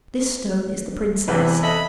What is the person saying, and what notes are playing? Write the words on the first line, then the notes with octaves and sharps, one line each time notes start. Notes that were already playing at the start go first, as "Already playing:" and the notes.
This stone is the princess.
E2 C3 E3 B4
A4 D#5 E5 B5